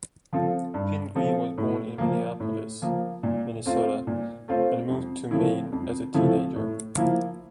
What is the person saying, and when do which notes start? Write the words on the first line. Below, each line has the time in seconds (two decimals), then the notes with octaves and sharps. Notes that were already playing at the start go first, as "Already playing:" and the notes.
Pingree was born in Minneapolis, Minnesota and moved to Maine as a teenager.
0.33 F3 C4 F4 A4
0.74 G2
1.15 F3 C4 F4 A4
1.58 A2
1.98 F3 A#3
2.40 A2
2.82 F3 A#3
3.23 A#2
3.65 A3 C4 F4 C5
4.07 A#2
4.48 A3 C4 F4 C5
4.90 F2
5.31 C3 F3 A3 E4
5.72 F2
6.14 C3 F3 A3 E4
6.56 A2
6.97 F3 A#3 E4